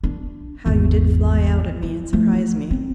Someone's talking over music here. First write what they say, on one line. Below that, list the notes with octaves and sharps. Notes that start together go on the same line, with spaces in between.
How you did fly out at me and surprise me.
D4
G#1 E2
E4
F3 A3
C4